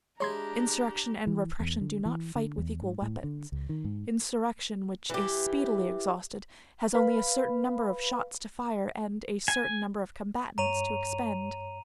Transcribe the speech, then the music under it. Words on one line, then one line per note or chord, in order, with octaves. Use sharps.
Insurrection and repression do not fight with equal weapons. Insurrection, which is speedily exhausted, has only a certain number of shots to fire and a certain number of combatants to expend.
G#3 D4 E4 G4 C#5 A#5 C6 G#6
E3
E2
D3
E3
D3
E2
G#2
A2
D3
C#2
D#3
G#2
E3 G4
B4 F5 B5
G#5
G2 C#5 A#5 D#7 F7